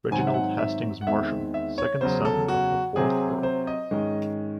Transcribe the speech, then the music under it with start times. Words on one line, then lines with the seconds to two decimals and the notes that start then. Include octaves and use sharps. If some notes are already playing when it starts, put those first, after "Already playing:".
Reginald Hastings Marsham, second son of the fourth Earl.
0.11 G#2 D#3 F#3 C4 G#5
0.19 F#5
0.27 E5
0.34 F#5
0.59 E5
1.01 F#5
1.06 E2 D#3 G#3 C4 E5
1.54 E5
1.78 C#5
2.01 E2 C#3 F#3 C5
2.25 A4
2.48 F#4
2.96 C3 F#3 C4 G#4
3.43 C5
3.67 D#5
3.91 G#2 D#3 G#3 C#4